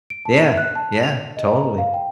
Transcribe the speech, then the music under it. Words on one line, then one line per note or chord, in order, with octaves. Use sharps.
Yeah, yeah, totally.
D7
A5
E5
F#6
A5
F7
D#5
A#5
F5
G5